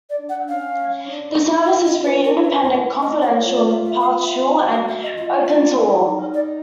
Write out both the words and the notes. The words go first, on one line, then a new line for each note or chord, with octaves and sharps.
The service is free, independent, confidential, impartial and open to all.
D5
D4
F#5
C#4 F5
D4
D#4
F4 F5
D#5
B4
E4 A#4
B4
C5
D#5
E4
C#5
F4 C#5
D5
E5
E5
F5
E5
F5
F#4 F#5
F5
E5
D#5
F4 D#5
D5
E4
D#4
D5